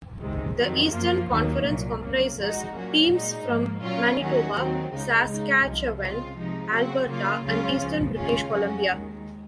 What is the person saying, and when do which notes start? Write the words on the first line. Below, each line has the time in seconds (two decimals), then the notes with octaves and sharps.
The Eastern Conference comprises teams from Manitoba, Saskatchewan, Alberta and eastern British Columbia.
0.20 C#2 C3 D#3 G#3
0.56 F2 C3 D#3 F#3
0.92 F#2 F3 A#3 F4
1.29 D#2 D#3 F#3 A#3 D#4
1.65 C2 A#2 F#3
2.01 C#3 F#3 A#3
2.36 A#2 F3 G#3 D#4 F#4
2.73 A#2 F#3 A#3 C#4 F#4
3.09 A#2 G#3 D#4
3.45 G#2 F3 A#3
3.81 A#2 F#3 C#4 F4
4.18 D#2 D#3 F#3 C#4 F#4
4.54 D#2 D#3 F#3 C4
4.91 C#2 C#3 G#3 D#4
5.27 C#3 G#3 D#4
5.63 C2 C3 F3
5.99 C#3 G#3 C4 F4
6.36 C3 F3 G#3 D#4
6.71 C#3 F#3 C4 F#4
7.07 C#3 F#3 A#3 F4
7.44 C#2 C#3 F#3 C#4 F4
7.80 C#2 C#3 F3
8.16 D#2 C#3 G#3 C#4 F4
8.52 F2 C#3 F#3 C#4 F#4
8.88 D#2 D#3 G#3